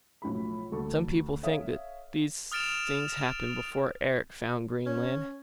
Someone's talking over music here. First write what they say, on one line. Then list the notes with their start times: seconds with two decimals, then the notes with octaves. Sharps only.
Some people think that these things happened before Eric found Greenland.
0.22 B1 A2 F3 B5
0.72 D2 A4 C#6
1.43 A4 C#5 E5 F5 D#6
2.52 D#6 F6 A6 D7 E7 F7
4.86 C#4